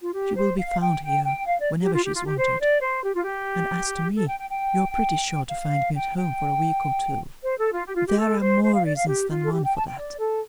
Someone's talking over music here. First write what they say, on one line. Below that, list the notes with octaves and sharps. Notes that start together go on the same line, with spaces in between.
She will be found here, whenever she's wanted; and as to me, you're pretty sure to find me at home, for a week or two. There are more reasons than one for that.
F4
G4
C5
F5
G5
G5
G5
F5
D5
G4
F4
G4
F4
G4
C5
D5
C5
G4
F4
G4
A4
G5
G5
G5
F5
G5
G5
C5
A4
F4
G4
F4
G4
A4
C5
C5
F5
D5
F5
G4
F4
A4
G4
G5
A5
G5
D5
A4